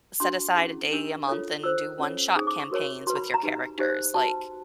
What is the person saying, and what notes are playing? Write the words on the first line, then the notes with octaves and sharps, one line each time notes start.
set aside a day a month and do one-shot campaigns with your characters, like,
D4 F#4 B4 C6
C#4 E4 G#4
D4 G4 A#4
F4 A4 C#5
F4 A4 C5 E6
C#4 F4 A4 C#5
D#4 G#4 C5 D#6
D6
C#6
F#4 A#4 C#5
F#4 B4 C6
B5
A#5
D#4 G4 B4
D#4 G4 C5
F#4 B4 A5